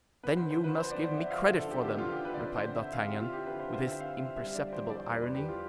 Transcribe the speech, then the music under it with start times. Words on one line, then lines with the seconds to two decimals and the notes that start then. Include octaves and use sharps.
"Then you must give me credit for them," replied D'Artagnan, with his imperceptible irony.
0.23 B3 B4
0.37 D3 C5
0.51 C5
0.60 F4 B4
0.77 F3 C5
0.91 B3 D5
1.04 C5
1.13 B3 E5
1.31 F3 F5
1.44 E5
1.49 D3
1.58 A4
1.67 D3 G4
1.85 B3 G4
1.98 D3 F4
2.12 G4
2.21 D3 B4
2.34 D5
2.39 C4 C5
2.56 D3 C5
2.74 D3 E5
2.92 C4 F5
3.06 C4 G4
3.20 F4
3.29 E4 G4
3.46 D3 B4
3.59 D3 C5
3.73 C5
3.82 D3 E5
4.00 C4 F5
4.18 C4 E5
4.36 G3 E5
4.54 D3 D5
4.72 F3 C5
4.90 E2 D5
5.08 E2 B4
5.22 E2 B4
5.35 G4
5.45 F3 F4